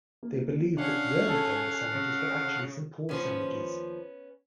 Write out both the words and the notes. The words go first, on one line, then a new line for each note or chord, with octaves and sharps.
They believed that the early Denver sandwiches were actually Saint Paul sandwiches.
A#3
C#4 D4 G#4 F5 F#5
A4
C#3
D#2 F3 B3 C#4